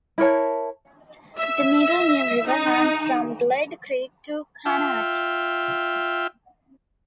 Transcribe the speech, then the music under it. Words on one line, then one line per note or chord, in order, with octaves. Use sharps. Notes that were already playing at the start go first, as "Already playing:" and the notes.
The Middle New river runs from Glade Creek to Cunard.
E4 A#4 C#5 A5
E5
D#4
F4 E5 G5